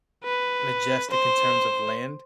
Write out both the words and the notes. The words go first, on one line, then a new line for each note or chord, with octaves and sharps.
majestic in terms of land?
B4
C5